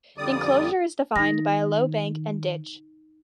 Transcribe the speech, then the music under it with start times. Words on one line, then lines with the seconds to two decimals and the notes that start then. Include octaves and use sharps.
The enclosure is defined by a low bank and ditch.
0.18 F2 D3 G3 D5 D#6
1.16 D#3 D#4 A#6